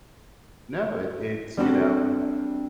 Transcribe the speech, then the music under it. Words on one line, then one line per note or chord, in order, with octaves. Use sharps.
No it it's you know,
G3 B3 C4 D4 F#4 A4